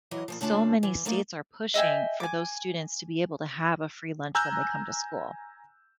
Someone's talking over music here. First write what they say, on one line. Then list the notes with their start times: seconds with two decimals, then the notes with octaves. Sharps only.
so many states are pushing for those students to be able to have a free lunch when they come to school,
0.11 E3 F#3 D#5
0.28 A#2 E3 F3
0.41 C#3 A3 D4 F4 A5
0.83 E3
1.05 F3 A3 A#3 D#4 F5
1.74 D#5 E5 G5 G#5
2.20 G#5 D6
4.35 G#5 A#5 E6 F#6 G6